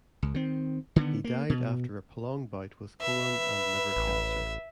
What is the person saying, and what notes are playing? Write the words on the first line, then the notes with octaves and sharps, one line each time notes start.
He died after a prolonged bout with colon and liver cancer.
C#2
D#3 C4
D3 D#3 A3 B3
A#3
B2
B4 E5
A1